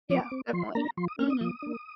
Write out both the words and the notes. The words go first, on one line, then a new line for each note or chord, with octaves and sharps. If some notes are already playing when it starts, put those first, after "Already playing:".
Yeah. Definitely. Mhm.
F3 D6
C4
F3 C6
A#3 D4 A#5
F3 C6
D#6
A#3 D4 F6
D#6
F3 D#6
A#3 D4